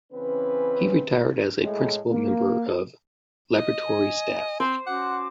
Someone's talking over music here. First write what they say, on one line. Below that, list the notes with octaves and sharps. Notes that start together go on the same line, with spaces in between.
He retired as a Principal Member of Laboratory Staff.
C#3 E3 C4 C#4 B4
A2 G#3
A#3
D#5
G#5
C4 C5
C#4 F#4 F#5 D6